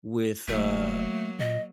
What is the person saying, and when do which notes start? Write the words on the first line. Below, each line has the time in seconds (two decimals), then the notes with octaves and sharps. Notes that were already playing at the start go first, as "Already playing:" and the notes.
with, uh,
0.48 F1 F#3 A3 A#3
1.39 A#2 D#5